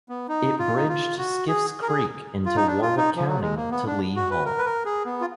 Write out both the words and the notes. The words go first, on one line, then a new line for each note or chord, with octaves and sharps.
It bridged Skiffe's Creek into Warwick County to Lee Hall.
B3
D#4
F4
D#4
F4
F#4
G#4
A#4
G#4
F4
D#4
D4
F4
D#4
F3
F#3
G#3
A#3
B3
D4
F#4
B4
A#4
B4
A#4
G#4
B3
F4